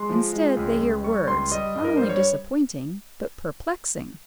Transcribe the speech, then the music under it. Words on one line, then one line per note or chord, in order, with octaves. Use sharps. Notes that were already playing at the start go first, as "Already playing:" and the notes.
Instead, they hear words, not only disappointing, but perplexing.
Already playing: G#3 C6
F3
G#3
C#2
C#2
G3 C#6
C#2 C6
G3 D#5
G2
A#4
G3 C5
C#5